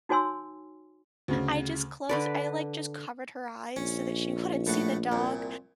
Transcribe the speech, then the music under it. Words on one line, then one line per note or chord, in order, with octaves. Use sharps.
I just closed I, like, just covered her eyes, so that she wouldn't see the dog,
D#4 F#4 C#5 G#5 C6 E6
D2 C#3
D3 B4 D5
A#1 C#4
A2 A3 F#4
C2 A#2